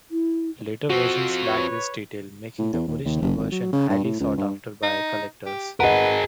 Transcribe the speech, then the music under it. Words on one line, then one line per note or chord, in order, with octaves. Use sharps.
Later versions lack this detail, making the original version highly sought after by collectors.
E4
F3 C4 F#4
B4 C#5
A2
E2
D#2
D#2
F#1
G#1
F#3
C#3
G2
A2
C#2
G2
D#4
G4
G#4 A#4 B4 D#5 F#5